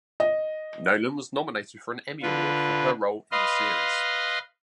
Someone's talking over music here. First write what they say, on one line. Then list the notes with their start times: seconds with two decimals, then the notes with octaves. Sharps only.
Nolan was nominated for an Emmy Award for her role in the series.
0.20 D#5
2.22 D3 F4 B4
3.32 B4 D#5 F5 C6